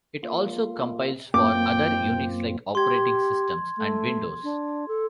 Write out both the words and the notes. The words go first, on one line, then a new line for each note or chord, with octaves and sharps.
It also compiles for other Unix-like operating systems and Windows.
A#3 F4
F#2 A#3 C4 F4 G5 D6
G4 C6 G#6
A3
D4
A4